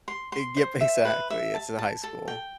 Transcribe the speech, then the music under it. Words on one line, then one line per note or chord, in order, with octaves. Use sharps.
A g exactly it's in high school.
C6
C6
C5
E5
B4
E5
A5
A5
A4
G5